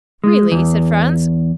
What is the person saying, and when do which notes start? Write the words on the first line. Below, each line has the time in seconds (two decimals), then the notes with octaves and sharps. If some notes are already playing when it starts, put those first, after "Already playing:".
"Really?" said Franz.
0.24 G#3
0.52 E2